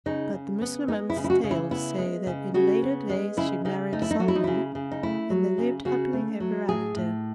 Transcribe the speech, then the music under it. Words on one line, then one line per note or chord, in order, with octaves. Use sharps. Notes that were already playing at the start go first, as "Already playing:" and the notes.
But the Mussulmans' tales say that in later days she married Solomon and they lived happily ever after.
C#3 D#4
C#3
B3
G#3 D#4
E4
C#3
E4
F#4
C#3
E4
B3 E4
G#3
C#3
C#3 F#4
B3
G#3
C#3 E4
C#3 D#4
A3 D#4
E4
D#4
F#3 F#4
E4
D#4
C#3 E4
C#3
D#4
A3 E4
F#3
C#3
C#3 F#4
A3
F#3
A2 G#4
A2